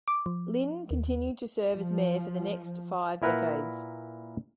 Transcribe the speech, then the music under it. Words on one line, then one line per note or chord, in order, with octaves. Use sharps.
Linn continued to serve as mayor for the next five decades.
D6
F3
D#2
F3
A#2 E4 A#4 B4 F#5